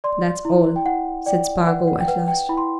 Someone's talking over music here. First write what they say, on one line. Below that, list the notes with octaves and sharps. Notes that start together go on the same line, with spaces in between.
"That's all," said Spargo at last.
D5 C6
E4
G5
E4 F#5
D5 G5
B4 F#5
F#5
G5
B4 F#5
G5
E4 B5
C6